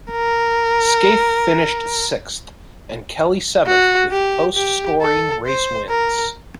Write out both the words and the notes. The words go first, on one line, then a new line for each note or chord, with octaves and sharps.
Skaife finished sixth and Kelly seventh with post scoring race wins.
A#4
F#4
G4
G4
A4
C5
A#4